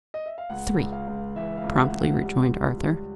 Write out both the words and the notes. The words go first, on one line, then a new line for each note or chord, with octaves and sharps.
"Three," promptly rejoined Arthur.
D#5
E5
F5
C#2 F#5
C#2
F5
C#2
E3 E5
F5
C#2
F#5
C#2
F#5
G3
G3
G3